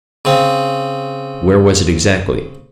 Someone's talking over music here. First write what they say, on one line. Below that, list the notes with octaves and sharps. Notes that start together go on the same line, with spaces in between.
"Where was it, exactly?"
C#3 C4